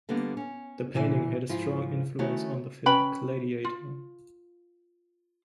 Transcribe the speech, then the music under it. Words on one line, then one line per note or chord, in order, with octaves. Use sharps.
The painting had a strong influence on the film "Gladiator".
D3 G3 A#3 B3
C#4
A#2 E3 E4 G#5
G#2 F3 E4 F4
D#3 A3 C#4 E4 F#4 C#5
C#4 B4 G5 B5
F4